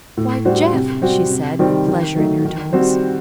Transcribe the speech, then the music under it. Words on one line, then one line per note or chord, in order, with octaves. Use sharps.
"Why, Jeff," she said, with pleasure in her tones.
A2
G3 D4 F#4 C5
C3
G3 C4 F#4
C3
D#3 G3 C4
D#3
F#3 A3 D#4
D#3
G3 C4 F#4 C5